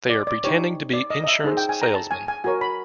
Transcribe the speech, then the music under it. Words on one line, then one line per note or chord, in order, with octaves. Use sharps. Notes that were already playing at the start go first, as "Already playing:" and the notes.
They are pretending to be insurance salesmen.
D5
D5
D#4 G4 C5 C#5
D5
D#5
D#5
E5
D#4 G#4 C5
G5
G#5
A#5
A5
G#5
G#5
F#4 A#4 C#5 G#5
B5